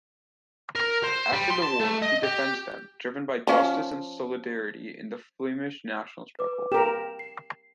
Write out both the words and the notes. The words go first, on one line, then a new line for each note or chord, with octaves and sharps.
After the war, he defends them, driven by justice and solidarity in the Flemish national struggle.
A#4
C5
G3
C6
A5
A3
D#5
G4
F3 C#4 F5
B4 D6
G4 A#4 E7
C7